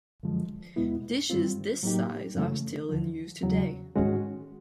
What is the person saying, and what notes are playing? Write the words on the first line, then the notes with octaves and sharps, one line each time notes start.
Dishes this size are still in use today.
F#2 D3 F3 G#3
E2 B2 G#3 B3 E4
G2 D#3 G3 C4 F4
A2 F#3 A#3 D#4 G4
F#2 C#3 E3 A3
D#2 D3 F3
E2 C#3 F#3
G#2 D#3 G#3 C#4 F#4